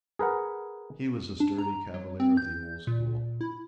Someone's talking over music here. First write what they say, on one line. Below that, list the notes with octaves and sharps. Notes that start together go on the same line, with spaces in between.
He was a sturdy Cavalier of the old school.
G#4 A#4 B4 F#5
D4
A#5
F#3
C4
G6
A#2
E4